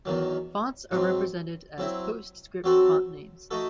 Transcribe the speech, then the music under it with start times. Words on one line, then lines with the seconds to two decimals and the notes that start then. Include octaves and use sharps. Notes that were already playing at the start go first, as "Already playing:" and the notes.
Fonts are represented as PostScript font names.
0.05 E2 D#3 F#3
0.91 G#2 F#3 C4
1.78 F#3 C4 E4
2.64 F#3 C4 F#4 A4
3.51 A3 D#4 F#4 A4